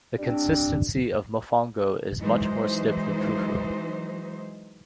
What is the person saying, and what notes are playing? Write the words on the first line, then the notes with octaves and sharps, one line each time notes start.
The consistency of mofongo is much more stiff than fufu.
G3 C4 D4
E3 F#3 G#3 D#4 C5